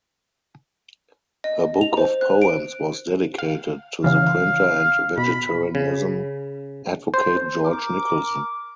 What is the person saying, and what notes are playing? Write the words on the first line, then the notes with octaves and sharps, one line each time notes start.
Her book of poems was dedicated to the printer and vegetarianism advocate George Nicholson.
D#5
F7
C5
F#6
D7
F5
C#3 E3 F5
B2 B5
C#3
C5
A#4 D6